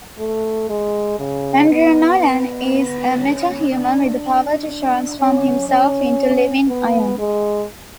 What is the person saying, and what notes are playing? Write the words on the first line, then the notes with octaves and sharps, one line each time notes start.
Andrew Nolan is a metahuman with the power to transform himself into living iron.
A3
G#3
C#3
B3
B3
C#4
D4
C#4
C#4
B3
G#3